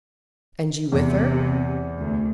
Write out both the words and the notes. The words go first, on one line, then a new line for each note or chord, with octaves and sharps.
"And you with her?"
E2 C3
D2